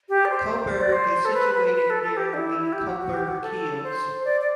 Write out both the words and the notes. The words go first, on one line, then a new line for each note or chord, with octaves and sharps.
Coburg is situated near the Coburg Hills.
G4
D5
C5
D5
C5
A4
B4
B4
B4
A4
A4
G4
D4
E4
E4
G4
F#4
F#4
G4
F#4
A4
C5
D5
D5